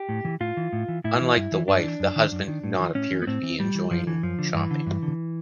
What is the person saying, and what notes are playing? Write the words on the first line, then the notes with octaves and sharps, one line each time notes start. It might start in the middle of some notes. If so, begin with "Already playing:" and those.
Unlike the wife, the husband did not appear to be enjoying shopping.
Already playing: G4
A2
E3
A2 F4
E3
A2
E3
A2 E4
E3
G2
E3
G2 D4
E3
F#2
D#3
F#2
D#3
A2
E3
A2 C#4
E3
B3
A2 C4
E3
A2 G3
E3
F#2 F3
D3 E3
F#2 F3
D3
G2 E3
D3
G2
D3